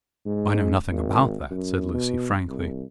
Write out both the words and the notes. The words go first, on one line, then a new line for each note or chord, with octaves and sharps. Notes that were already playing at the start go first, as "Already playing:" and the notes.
"I know nothing about that," said Lucy, frankly.
G#2
G#1
F#2
B2
C2